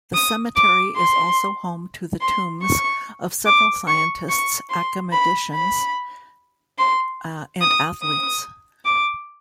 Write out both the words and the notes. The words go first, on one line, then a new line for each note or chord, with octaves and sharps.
The cemetery is also home to the tombs of several scientists, academicians and athletes.
D#6
D6
C6
C6
C#6
D6
C#6
C#6
C6
B5
B5
C6
D#6
D#6
D6